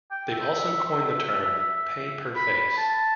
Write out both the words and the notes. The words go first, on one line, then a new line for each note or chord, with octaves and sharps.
They've also coined the term pay-per-face.
G5
E5
B5
B5
A5